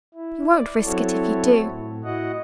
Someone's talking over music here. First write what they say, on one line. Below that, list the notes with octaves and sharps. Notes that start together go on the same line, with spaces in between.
'You won't risk it if you do.
E4
D5
F#3 C4 E4 F#4 A4 C#5
A2
E4 F#4 D#5 F#5